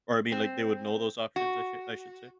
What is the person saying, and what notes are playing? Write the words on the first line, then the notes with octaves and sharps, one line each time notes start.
or I mean, like, they would know those options I should I should say.
C4
F#4